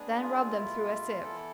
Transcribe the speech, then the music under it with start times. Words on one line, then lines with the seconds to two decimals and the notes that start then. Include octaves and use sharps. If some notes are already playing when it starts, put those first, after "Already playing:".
Then rub them through a sieve.
Already playing: G#3 B3 D4 G#4
0.21 F4
0.55 B2 A3 E4
1.20 E3 B3 E4 A4